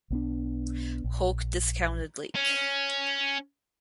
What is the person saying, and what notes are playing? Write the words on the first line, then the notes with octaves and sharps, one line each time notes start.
Hulk discounted late.
B1 B3 D4
A#1
C#4